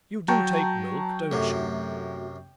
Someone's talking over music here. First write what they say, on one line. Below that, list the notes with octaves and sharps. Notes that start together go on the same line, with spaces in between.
You do take milk, don't you?
F#3 G5 A5 A#5 C#6
F#2 C3 A3 F#4